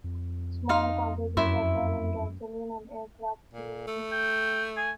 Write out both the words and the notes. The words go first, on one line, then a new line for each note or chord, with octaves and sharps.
Small quantities occur in gasoline and aircraft fuels.
F2
D#4 F5 C6
F#2 E4 E5 C6
A#2
A3
G5
G#5